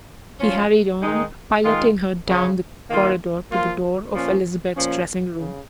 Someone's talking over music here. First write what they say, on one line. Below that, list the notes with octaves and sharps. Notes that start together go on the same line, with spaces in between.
He hurried on, piloting her down the corridor to the door of Elizabeth's dressing room.
F3 C#4 F4
D#3 G#3 D#4
D#3 G#3 F4
C#3 F3 C#4
D#3 A#3 F4
F3 A#3 F4
A#2 F3 C#4 F4
A#2 F3 C#4
C#3